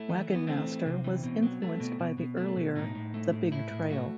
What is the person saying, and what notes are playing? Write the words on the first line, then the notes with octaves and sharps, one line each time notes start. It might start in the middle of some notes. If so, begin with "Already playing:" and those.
"Wagon Master" was influenced by the earlier "The Big Trail".
Already playing: A3 E4
E3
E3 B3
A3 C4
E3
C3
E3
B2
F#3
A3
B2
B2
B2
A3
B2
A2 D#4
A2
A3
A2
A2 E4
A2
A3 F#4